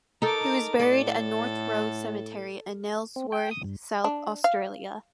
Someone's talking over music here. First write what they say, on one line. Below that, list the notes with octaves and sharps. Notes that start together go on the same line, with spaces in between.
He was buried at North Road Cemetery in Nailsworth, South Australia.
D#4 A4 A#4 D6
A2 A4 D5
C4
G5
D#6
G2
D4
F5